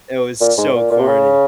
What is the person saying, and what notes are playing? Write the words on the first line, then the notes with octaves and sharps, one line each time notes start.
It was so corny.
A#2
G#2
A#2
A#2
C3
C#3